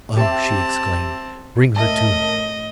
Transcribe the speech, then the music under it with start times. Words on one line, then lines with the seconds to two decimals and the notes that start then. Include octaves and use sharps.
"Oh!" she exclaimed, "bring her to me!"
0.16 C4 G4 E5 A5
1.76 A2 A#4 D#5 E5 A5